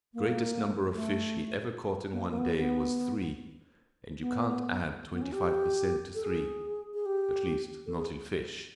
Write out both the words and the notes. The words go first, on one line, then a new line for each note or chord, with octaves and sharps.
The greatest number of fish he ever caught in one day was three, and you can't add twenty-five per cent. to three--at least, not in fish.
A#3
A3
B3
A#3
A#3
B3
B3
B3
B3
C#4
G4
A4
G#4
G#4
G4
A4
G#4